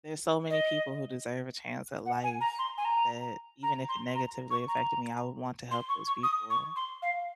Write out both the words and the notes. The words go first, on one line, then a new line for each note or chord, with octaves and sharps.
there's so many people who deserve a chance at life that even if it negatively affected me, I would want to help those people.
D#5
F#5
G#5
A#5
C6
G#5
A#5
A#5
C6
A#5
C#6
A#5
C6
C#6
C#6
D#6
C#6
C6
F5